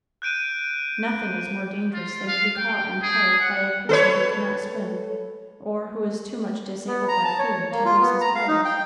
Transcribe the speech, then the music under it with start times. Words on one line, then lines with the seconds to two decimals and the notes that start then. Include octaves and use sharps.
Nothing is more dangerous than to be caught and held by a person who cannot swim, or who is too much disabled by fear to use his powers.
0.22 F#6 G6 D7 D#7
1.94 F4
2.27 F5
2.58 G5
3.02 G#4
3.40 F#5
3.89 A4 B4 C#5
6.87 B3
7.08 A#5
7.24 A5
7.39 C#5
7.71 A#3
7.85 F4
8.01 B3
8.21 A#5
8.35 F5
8.48 D#4
8.65 G5